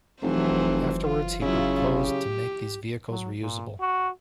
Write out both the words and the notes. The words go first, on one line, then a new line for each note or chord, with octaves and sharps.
Afterwards he proposed to make these vehicles reusable.
F1 E3 F#3 C5
F4
C#3 F#3 E4 F4
G4
F#3
A#2
F#4